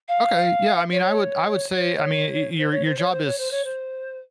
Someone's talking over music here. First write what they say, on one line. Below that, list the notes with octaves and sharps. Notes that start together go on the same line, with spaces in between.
Okay, yeah, I mean, I would I would say I mean, y your, your job is
F5
C#5
C#5
C5
C#5
C5
C#5
C5
C#5
C5
C#5
C5